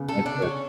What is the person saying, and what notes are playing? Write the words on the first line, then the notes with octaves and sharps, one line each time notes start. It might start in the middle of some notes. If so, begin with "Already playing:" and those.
and for
Already playing: C#3 B3
A4
D4
C#4